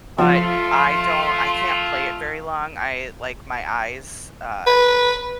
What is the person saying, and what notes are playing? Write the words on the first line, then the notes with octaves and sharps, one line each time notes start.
but I don't I can't play it very long. I like, my eyes, uh,
F3 A3 F4 C6
B4